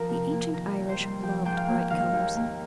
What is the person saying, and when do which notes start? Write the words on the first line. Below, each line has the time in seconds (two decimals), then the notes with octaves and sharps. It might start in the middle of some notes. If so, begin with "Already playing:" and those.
The ancient Irish loved bright colours.
Already playing: F3 A#4
0.09 C3
0.32 A#3
0.54 D#3 A#4
0.76 D#2
0.89 C5
1.00 G3
1.22 F3 G5
1.45 G#2 G5
1.57 F5
1.68 A#3
1.90 D#3 F5
2.13 D#2
2.36 A#3